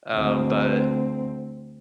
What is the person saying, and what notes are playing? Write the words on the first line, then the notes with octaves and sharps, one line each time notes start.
um, but
D2 C4